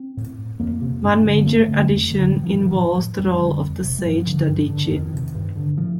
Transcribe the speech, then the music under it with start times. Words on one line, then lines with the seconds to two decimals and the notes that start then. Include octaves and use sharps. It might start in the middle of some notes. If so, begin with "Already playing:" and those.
One major addition involves the role of the Sage Dadhichi.
Already playing: C4
0.17 A2
0.59 F2 A#3
0.82 C3
1.04 G2
1.25 D3
1.40 A#3
1.46 G2 A3
1.67 D3
1.89 F2
2.11 D3
2.32 A2 G3
2.43 F3
2.54 D#3
2.65 F3
2.76 A2
3.18 F2 G3
3.40 D3
3.63 F2
3.84 C3
3.99 G3
4.05 G2 F3
4.27 D3
4.49 G2
4.70 D3
4.85 D3
4.91 F2 D#3
5.13 C3
5.35 G2
5.56 D3
5.77 A2 F3